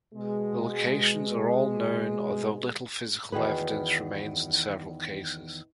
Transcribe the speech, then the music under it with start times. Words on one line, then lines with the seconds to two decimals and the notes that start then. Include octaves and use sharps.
The locations are all known although little physical evidence remains in several cases.
0.14 B2 G#3
3.32 E2 D#3 F#4 G#4 B4